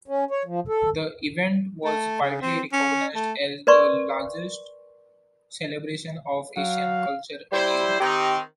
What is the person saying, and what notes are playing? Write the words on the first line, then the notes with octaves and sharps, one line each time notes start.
The event was widely recognised as the largest celebration of Asian culture in Europe.
C#4
C#5
F3
A4
A3
C#3
C4
C#4
A3
A#4 B4 D5 C6 C#6
F#3 F5
G3 E4 C5
D#3 C4 D#4 G4